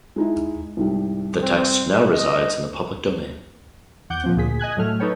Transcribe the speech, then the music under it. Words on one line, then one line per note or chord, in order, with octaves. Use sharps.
The text now resides in the public domain.
G#3 D#4 E4
C2 G#2 G3
C4
D#5
E2 F#5 D6 G6
A#2 F3 C4
D2 A#2 G#4 B6
D#5 G#5 F#6 G#6
A2 F#3 A3 F6
D#4 A4 B4 C#5 G5